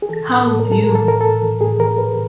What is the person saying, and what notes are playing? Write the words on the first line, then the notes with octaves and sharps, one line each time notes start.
Hows you?
G#4
E3 A4
A2
A2 A4
A#4
A2
A4
A2 A#4
A4
E3 A#4
A2 A4
E3
A2 G#4
E3 A#4
E3 B4